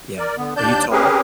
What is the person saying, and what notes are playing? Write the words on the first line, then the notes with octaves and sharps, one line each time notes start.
Yeah. Are you tall?
A#4 D5
D3 B3
D#2 D4 D5 A5 G6
C4 C#4 G4 G#4 A#4 B4